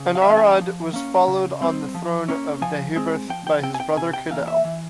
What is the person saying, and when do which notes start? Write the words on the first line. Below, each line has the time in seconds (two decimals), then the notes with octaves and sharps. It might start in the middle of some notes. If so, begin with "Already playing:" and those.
Anarawd was followed on the throne of Deheubarth by his brother Cadell.
Already playing: C#3
0.15 F5
0.22 E5
0.27 E3 A#3 C#4 F5
0.37 G#5
0.61 F3
0.93 A#3 C#4
1.27 C#3
1.61 G3 C4
1.94 F3
2.28 A#3 C#4
2.62 F3 G#5
2.96 G#3 C4
3.29 F3 G5
3.47 G5
3.63 C4 G5
3.74 G#5
3.80 G5
3.97 C3 G#5
4.13 G5
4.31 E3 A#3 F5
4.47 E5
4.65 E3